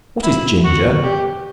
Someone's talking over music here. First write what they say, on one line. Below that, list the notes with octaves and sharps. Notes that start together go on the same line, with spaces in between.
What is Ginger?
E4
F#4
G4